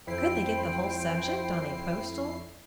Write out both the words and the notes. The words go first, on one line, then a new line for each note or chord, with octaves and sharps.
But could they get the whole subject on a postal?
F2 E4 C5 G5 C7